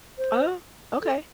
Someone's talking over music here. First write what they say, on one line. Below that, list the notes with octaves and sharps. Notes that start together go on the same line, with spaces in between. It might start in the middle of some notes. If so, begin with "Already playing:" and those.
Oh, okay.
C5
A4